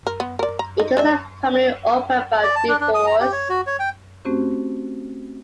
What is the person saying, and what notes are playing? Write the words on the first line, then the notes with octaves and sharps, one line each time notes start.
It is a family opera about divorce.
A#4
B3
A#4 D5
A#5
D#4
G#3 D4 E5
D5
A5
D4
D4
D#6
A#5
G4
C#5
F#4
C#5
G5
A3 C4 C#4 F#4 G4 C5